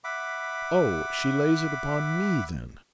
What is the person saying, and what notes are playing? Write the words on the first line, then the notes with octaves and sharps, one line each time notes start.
'Oh!--She lays it upon me, then?'
E5 F#5 B5 D6